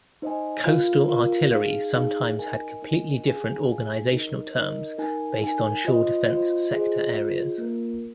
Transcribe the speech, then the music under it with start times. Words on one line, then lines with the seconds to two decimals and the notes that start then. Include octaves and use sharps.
Coastal artillery sometimes had completely different organizational terms based on shore defence sector areas.
0.22 D#4 C5 D#5 G#5
0.65 F4 A#4 F5
1.08 F4 A#4 F5
1.52 D#4 G#4 F5
1.95 D#4 G#4 F5
2.38 D#4 A#4 D#5 G#5
2.82 D#4 A#4 D#5 G#5
3.25 G#4 F5 G#5
3.68 G#4 F5 G#5
4.12 D#4 A#4 D#5
4.54 D#4 A#4 D#5
4.98 D#4 A#4 G#5
5.42 D#4 A#4 G#5
5.85 F4 C5 D#5
6.28 F4 C5 D#5
6.71 F4 G#4 C5 D#5
7.15 F4 G#4 C5 D#5
7.58 A#3 F4 A#4